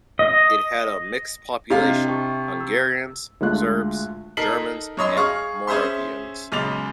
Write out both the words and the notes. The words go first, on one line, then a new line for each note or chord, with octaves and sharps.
It had a mixed population, Hungarians, Serbs, Germans, and Moravians.
D#5
C3 D4 E4 D#5 F5
E5 G5
G5 A5 C#6
E6
D2 G#3 A3 F4 F#6
D#4 A4 A#4 B6 C7 F#7
F#2 C#5 D#5 C6
G#4 F5 C#6
C#4 G#4 C5 E5 C6
B1 C#3 G#3 D6 A6 F7